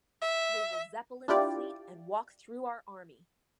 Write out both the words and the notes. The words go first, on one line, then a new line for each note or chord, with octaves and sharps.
They will Zeppelin the fleet and walk through our army.
E5
D4 E4 F4 G4 D5